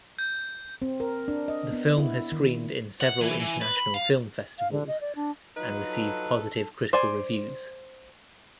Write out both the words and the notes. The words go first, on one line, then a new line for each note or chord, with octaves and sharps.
The film has screened in several international film festivals and received positive critical reviews.
G6
C4
A#4
D4
D#5
B3
E4
D#3
F#5
E3
E3
B4
B5
F5
F5
D3
D#5
D5
D4
F#3 D#4 F4 B4
A4
C5 D5 G#5